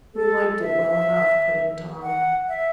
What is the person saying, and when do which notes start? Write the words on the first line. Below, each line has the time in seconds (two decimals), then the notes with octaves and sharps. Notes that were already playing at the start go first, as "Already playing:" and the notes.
"We liked it well enough," put in Tom.
0.14 A4
0.61 E5
2.02 F#5
2.49 E5